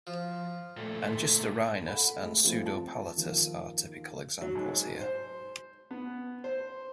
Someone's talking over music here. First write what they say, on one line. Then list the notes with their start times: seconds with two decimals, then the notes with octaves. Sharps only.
"Angistorhinus" and "Pseudopalatus" are typical examples here.
0.07 F3
0.77 A#2 A3
1.88 A4 F#5 B5
2.21 G#3 A3
2.44 F3 A3 C4 F4
2.66 A5
3.17 D#2 F3 A#3
4.41 F#3
4.55 G#2
5.01 C5
5.91 B3
6.44 C5